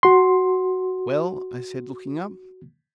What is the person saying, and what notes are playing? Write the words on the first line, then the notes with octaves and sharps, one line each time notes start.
"Well?" I said, looking up.
F#4 C6